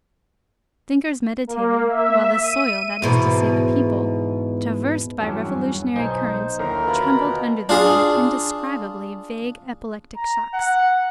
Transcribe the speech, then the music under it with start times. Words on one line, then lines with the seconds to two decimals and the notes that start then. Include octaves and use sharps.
Thinkers meditated, while the soil, that is to say, the people, traversed by revolutionary currents, trembled under them with indescribably vague epileptic shocks.
1.47 A#3
1.88 E5
2.43 D#7
3.02 E2 G#2 B2
5.21 E2 G2 F#3 C#4
5.96 B1 D#4 C5 D#5 G#5
6.59 D#2 A2 D3 A#4
6.87 B2 F4 B5
7.69 D4 F4 G#4
10.16 A#5
10.54 F#5